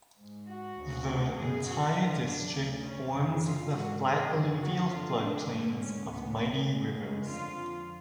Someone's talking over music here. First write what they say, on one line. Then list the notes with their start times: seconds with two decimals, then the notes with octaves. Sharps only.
The entire district forms the flat alluvial flood plains of mighty rivers.
0.19 G#2
0.48 F#4
0.77 D2 C#3
1.37 F#2 C#3 G#4
1.66 F#4
1.95 F#2 D3 F4
2.25 D4
2.54 D2 C#3
2.83 C#4
3.13 F#2 D3 G#4
3.43 F4
3.71 G#2 F#4
4.01 G#4
4.31 F#2 C#3
4.60 F#4
4.89 F2 D3 F4
5.20 D4
5.48 G#2 A3
5.78 C#4
6.08 D2 C#3 B3
6.37 A3
6.66 F#2 C#3 G#3
6.95 G#3
7.25 F2 D3 F4